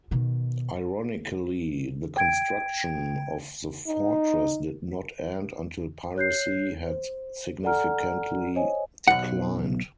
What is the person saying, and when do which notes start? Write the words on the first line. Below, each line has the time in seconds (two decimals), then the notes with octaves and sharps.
Ironically, the construction of the fortress did not end until piracy had significantly declined.
0.11 B2 D#3
2.16 G5 G#6 D7
3.87 D#4
6.16 C#5 F#6 G6 C7
6.86 C5
7.63 A4 D5 F#5 G#5 A#5 F6
8.54 C5 C#5 D#5 G#5
9.08 B1 F#5